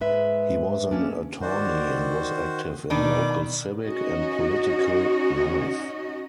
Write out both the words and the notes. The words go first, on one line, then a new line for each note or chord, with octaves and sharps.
He was an attorney and was active in local civic and political life.
G#2 G#3 B4 E5
A#3 C#4 D4
D#3 F#4 C5 D5
B2 D#3 D4 B5 D6
C#4 D#4 F#4 D#5